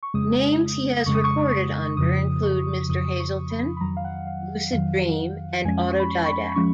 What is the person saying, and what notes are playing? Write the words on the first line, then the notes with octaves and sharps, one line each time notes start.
Names he has recorded under include Mr. Hazeltine, Lucid Dream, and Autodidact.
C#6
F2 C#3 G#3 D#6
F2 C#3 G#3 C#6
D#6
C#6
C#6
F2 C#3 F3 D#6
C#6
F2 C#3 F3 D#6
C#6
B5
B5
F2 D#3 F#3 A#5
F5
F#5
F5
F2 D#3 F#3 F5
F2 F3 G#3 C#4 G#5
C#6
B5
C#6
C#6
B5
F3 G#3 C#4 C#6